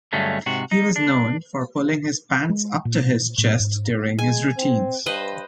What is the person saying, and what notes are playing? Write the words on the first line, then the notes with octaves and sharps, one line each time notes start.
He was known for pulling his pants up to his chest during his routines.
G2 D3 F#3 G#3 A3 C#4
G#2 C3 F#4
D#4
D4
G#3
A#2
A2
G#2
G#3 G#5
C4
G2 B4 C5 D#5